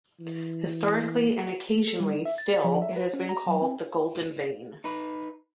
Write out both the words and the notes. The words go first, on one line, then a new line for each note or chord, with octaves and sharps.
Historically, and occasionally still, it has been called the Golden Vein.
E3
A4
G3
D#4
E5
A6
F3
E5
B4
C#4
A#5
F#3
C4
D#4 B4